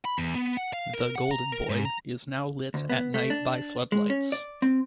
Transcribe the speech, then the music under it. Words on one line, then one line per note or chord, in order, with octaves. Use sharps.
The Golden Boy is now lit at night by floodlights.
B5
E2
B3
F#5
F5
A#4
F#5
A#5
A#4
G#2
A#5
D2
B3
A3
D4
G#3
C#4
D5
C4